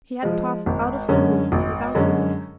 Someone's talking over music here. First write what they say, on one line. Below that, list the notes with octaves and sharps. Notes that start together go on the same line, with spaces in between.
He had passed out of the room without a look!
F3 G#3
G#1
F#2 D3 G#3 C#4
G#1
F#2 D3 G#3 C#4